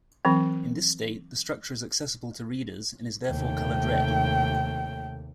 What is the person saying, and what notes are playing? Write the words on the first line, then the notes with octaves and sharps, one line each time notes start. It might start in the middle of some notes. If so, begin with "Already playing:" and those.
In this state, the structure is accessible to readers, and is therefore colored red.
E3 F#3 C4
D#2 C3 A3 G5